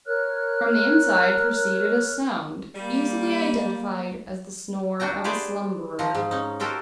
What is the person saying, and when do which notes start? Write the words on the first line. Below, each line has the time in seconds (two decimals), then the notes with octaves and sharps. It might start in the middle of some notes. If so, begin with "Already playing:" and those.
From the inside proceeded a sound, easily identified as the snore of a slumberer.
0.05 A#4 C#5 F6 F#6
2.73 G3 A#3
5.00 D4 F#4 G5 A#5
5.24 G4 G#4 B4 C5 D5 G#5
5.99 F3 A#5
6.15 G#2
6.31 C#4 D#4
6.60 F#4 G4 A4 A#4 C5 G5